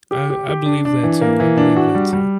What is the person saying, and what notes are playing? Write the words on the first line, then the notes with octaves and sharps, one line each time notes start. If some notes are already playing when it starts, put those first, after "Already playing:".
I I believe that too. I believe that too.
G4
G4
G4
D4
D4
E3
A#3
E3
D4
F#4
G3
G3